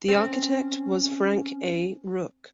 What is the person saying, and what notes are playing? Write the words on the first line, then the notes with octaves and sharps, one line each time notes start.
The architect was Frank A. Rooke.
C4 C#4